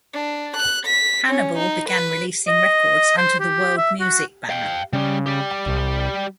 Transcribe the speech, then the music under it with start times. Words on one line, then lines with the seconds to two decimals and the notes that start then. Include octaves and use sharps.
Hannibal began releasing records under the world music banner.
0.14 D4
0.56 F#6
0.86 B6
1.29 C#4
1.57 D#4
1.89 B4
2.47 D#5
3.18 C5
3.39 G4
3.77 E5
4.00 F#4
4.50 F5 G5
4.93 C#3 G3
5.26 G3 G4
5.66 C2